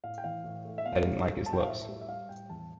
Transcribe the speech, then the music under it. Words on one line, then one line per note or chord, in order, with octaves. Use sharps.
I didn't like his looks.
A2 F5
G5
E3 F5
A2
A3
E5
B2 F5
G3
G3
B2 A5
G5
F5
A2 E5
G3
E5
G3 F5
A2 G5
E2 A5